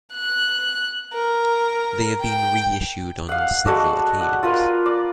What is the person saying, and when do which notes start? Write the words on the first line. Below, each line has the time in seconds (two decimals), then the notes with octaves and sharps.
They have been reissued on several occasions.
0.14 F#6
1.13 A#4
2.21 G5
3.29 F5 F#5
3.66 G#3 F#4 A4 D5
4.21 F#5
4.43 F4 A#4 B4
4.86 D5